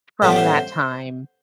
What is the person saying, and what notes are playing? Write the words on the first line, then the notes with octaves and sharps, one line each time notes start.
From that time,
A1 A2 G3 B3 C5
D5
C5